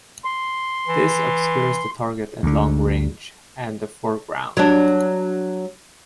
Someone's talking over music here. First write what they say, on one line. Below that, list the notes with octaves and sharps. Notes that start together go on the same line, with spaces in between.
This obscures the target at long range and the foreground.
C6
E3
D2 D3
F#3 D4